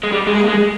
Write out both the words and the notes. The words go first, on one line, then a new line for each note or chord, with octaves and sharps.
I have a
G#3
G3
G#3
G#3